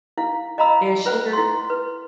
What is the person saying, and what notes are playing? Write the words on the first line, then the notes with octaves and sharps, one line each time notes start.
there's sugar
E4 F5
D#5 F5 A#5 B5 E6
F4 B4 C5 F#5
E4 C6
B4